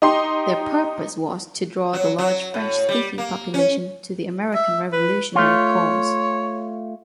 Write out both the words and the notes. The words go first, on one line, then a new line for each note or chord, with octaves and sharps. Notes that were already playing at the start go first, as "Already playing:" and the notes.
Their purpose was to draw the large French-speaking population to the American revolutionary cause.
D#4 G4 C6
F#3
F#3
A2
G3
A#3
C#4
E5
B4
A3 F4 C#5